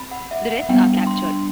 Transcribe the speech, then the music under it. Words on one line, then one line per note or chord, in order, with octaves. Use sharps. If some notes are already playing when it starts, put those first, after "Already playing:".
The rest are captured.
Already playing: C4 B5
F#5
E5
F#5
G3 B3 D4 G5
C6